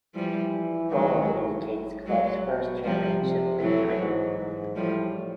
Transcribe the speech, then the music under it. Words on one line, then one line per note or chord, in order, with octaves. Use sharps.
Bold indicates club's first championship victory.
E3 F3 G3
D#3 F#3 G#3
A2
F#3 G#3
B2
C3 F3 G3
C3
A2 E3 F#3
G#2
G#2
A2 F3 G3